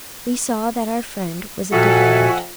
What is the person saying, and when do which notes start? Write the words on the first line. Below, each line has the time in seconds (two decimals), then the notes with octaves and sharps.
We saw that our friend was a diplomat.
1.72 F2 A#2 F#4 A4 E5 F#5 G#5